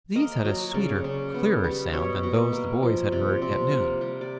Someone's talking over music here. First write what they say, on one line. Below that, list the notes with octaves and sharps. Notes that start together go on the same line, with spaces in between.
These had a sweeter, clearer sound than those the boys had heard at noon.
A#3 D#5
F#3
C#3 D5
C#3
B3
G3
B2 C#5
B2
A#3
F3
C3 D5
C3
A#3
G3
D5